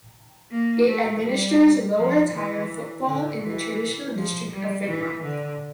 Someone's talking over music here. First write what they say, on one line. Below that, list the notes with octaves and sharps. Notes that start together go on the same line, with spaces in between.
It administers lower tier football in the traditional district of Finnmark.
A#3
A3
G3
F3
E3
D3
E3
F3
G3
E3
D3